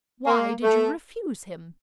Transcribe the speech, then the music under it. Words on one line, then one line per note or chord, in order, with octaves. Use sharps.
"Why did you refuse him?"
A#3
A3